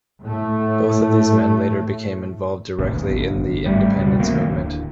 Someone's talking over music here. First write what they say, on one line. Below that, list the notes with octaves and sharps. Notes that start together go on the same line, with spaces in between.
Both of these men later became involved directly in the independence movement.
A2 A3
A1 D#2 B2
G1
G#1 G3 A3
C#2 B2 G3
D#3 A3 A#3 C4
D1